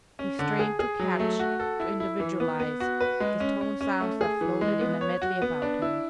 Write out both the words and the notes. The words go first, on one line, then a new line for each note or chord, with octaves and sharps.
He strained to catch, to individualise the tone sounds that floated in a medley about him.
C#4
D3
G#4
G#4
F#3
A3
F#4
A4
E4
E4
E3
B3
B3
F#4
B4
G#3
C#4
C#4
C#4
A3
G#4
E3
G#3
B3
C#5
F#4
B3
D4
E4